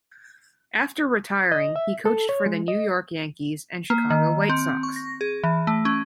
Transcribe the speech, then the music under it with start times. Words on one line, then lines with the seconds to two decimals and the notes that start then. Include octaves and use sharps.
After retiring, he coached for the New York Yankees and Chicago White Sox.
1.52 D#5
1.76 E5
2.05 A4
2.29 C#5
2.46 G#3
2.68 D#5
3.90 A#3
4.10 D#3
4.49 C4
4.83 C#6
4.96 A#6
5.21 G#4
5.44 E3
5.67 A3
5.85 C#4